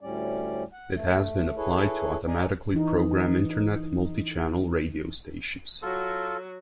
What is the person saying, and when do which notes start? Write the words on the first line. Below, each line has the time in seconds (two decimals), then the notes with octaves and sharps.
It has been applied to automatically program Internet multi-channel radio stations.
0.01 D2 A2 G3 C#4 D5
0.73 F#5
0.94 A3
1.57 E4 G#4 A4 B4 C#5
2.28 D5 D#5 G#5 A#5
2.74 E3 D#4
5.82 F#3 F4 F#4 A4